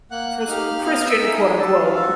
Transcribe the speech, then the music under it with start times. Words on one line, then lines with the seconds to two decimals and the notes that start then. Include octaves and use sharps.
Chris Christian, quote unquote.
0.11 A#3 F#5 F#6
0.39 F#6
0.48 D#4 G4 F5 F6
0.85 B3 F5 F6
1.09 E5 E6
1.22 D#4 G#4
1.34 D#5 D#6
1.59 D4 A4 A5
1.83 F4 F5
1.96 F#4 A4